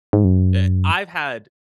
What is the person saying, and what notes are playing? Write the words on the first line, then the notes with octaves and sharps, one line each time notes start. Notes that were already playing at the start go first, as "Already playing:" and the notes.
uh I've had
G#2
F#2